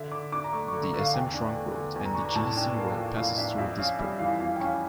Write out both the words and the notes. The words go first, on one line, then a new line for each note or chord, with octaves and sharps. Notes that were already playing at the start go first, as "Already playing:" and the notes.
The Assam Trunk road and the G S road passes through Dispur.
Already playing: D3 E5
D3 D6
D4 D6
A#5
A3 C#6
D3 C#6
A#5
D3
F5
E2 G5
D4
A3
D3
E2
A#5
D4 C#6
A#5
A2 A5
D4 G5
A#3 F5
F3 F5
A2 F5
D4 E5
F2 E5
C#4 F5
G3 E5
E3 F5
F2 F5
G5
C#4 F5